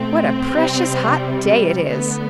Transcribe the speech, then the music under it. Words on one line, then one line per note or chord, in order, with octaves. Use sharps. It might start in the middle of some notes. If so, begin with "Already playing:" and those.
"What a precious hot day it is!"
Already playing: B2 A3 C4
C3 G3
D3 A3 B3